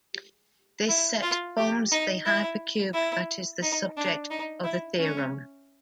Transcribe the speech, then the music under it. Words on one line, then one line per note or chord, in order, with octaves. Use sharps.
This set forms the hypercube that is the subject of the theorem.
E4
F4
G4
D#4
E4
E4
D#4
D4
D#4
E4
C#4